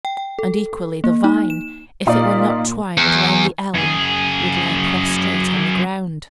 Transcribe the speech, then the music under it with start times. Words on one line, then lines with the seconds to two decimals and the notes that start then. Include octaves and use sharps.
And equally the vine, if it were not twined round the elm, would lie prostrate on the ground.
0.05 G5
0.17 G5
0.39 A4
1.04 A#3
1.24 D#4
1.50 E7
2.07 A#2 D#4 F4 D5
2.97 E2
3.75 F#2 G#4